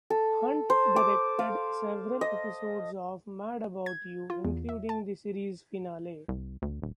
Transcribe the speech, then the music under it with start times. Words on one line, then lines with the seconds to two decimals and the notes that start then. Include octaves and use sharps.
Hunt directed several episodes of "Mad About You", including the series finale.
0.10 A4
0.70 C5
0.96 D6
1.39 F5
2.21 D#5
3.86 G#6
4.30 F4
4.45 E2
4.69 E5
4.89 A5
6.28 C2
6.62 D2
6.82 D#1